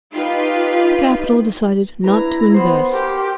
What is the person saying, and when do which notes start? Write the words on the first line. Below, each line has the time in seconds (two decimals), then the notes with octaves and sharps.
Capital decided not to invest.
0.12 D#4 F4 G4 B4
2.04 D4 E4 B4 A#5
2.54 B3 C5 C6
2.93 G4 A#4